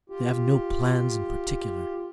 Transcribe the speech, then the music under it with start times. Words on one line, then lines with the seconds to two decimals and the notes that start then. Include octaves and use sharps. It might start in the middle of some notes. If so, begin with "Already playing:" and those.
They have no plans in particular....
0.10 F4 G4